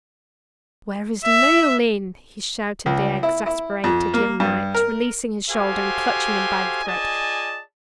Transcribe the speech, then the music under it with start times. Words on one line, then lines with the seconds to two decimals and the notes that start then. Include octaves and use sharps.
"Where is Leoline?" shouted the exasperated young knight, releasing his shoulder, and clutching him by the throat.
1.25 E5
2.86 C#2
3.23 E4
3.46 E4
3.84 F2
4.14 A#3
4.40 G2
4.74 A#4
5.49 F#4 G4 A4 C5 F5 G#5
6.84 F4 G#4 D5 D#5 G#5 A5